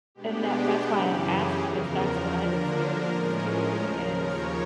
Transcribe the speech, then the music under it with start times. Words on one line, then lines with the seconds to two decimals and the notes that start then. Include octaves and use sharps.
And that that's why I asked because that's what I've experienced too, is
0.15 B2 G#3 B3 D4 G4
0.87 F#2 C#3 E3
1.25 G#4
1.61 E2 C#3 F3 A#4
2.34 D3 F3 A#3 D4
2.71 A#4
3.07 A2 F3 G#3 C#4
3.81 D#2 C#3 F3
4.17 C#5